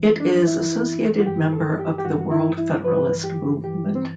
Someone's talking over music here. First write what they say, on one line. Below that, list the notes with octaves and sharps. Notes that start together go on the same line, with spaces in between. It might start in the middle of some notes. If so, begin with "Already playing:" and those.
It is associated member of the World Federalist Movement.
Already playing: F#2 E3
D4
F#2 E3 E4
F#4
G2 E3 G4
A4
G4
G4
G2 E3 F#4
F#4
E4
E4
G2 E3 B4
G4
G2 E3 G4
C4